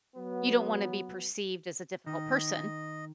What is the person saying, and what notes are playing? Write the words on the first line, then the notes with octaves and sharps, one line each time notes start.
you don't wanna be perceived as a difficult person.
F#3 B3
D#3 D#5